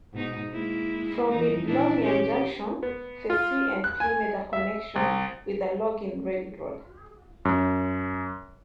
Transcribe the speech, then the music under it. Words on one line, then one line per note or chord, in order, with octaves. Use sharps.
From Midlothian Junction, the C and P made a connection with a logging railroad.
G#2 B2 D#4
G#3 A#3 E4
F2 E3 D#4
A#2 D4 E4
C#4 G4
B3
F4
F#6
G#5
E5
C2
F#2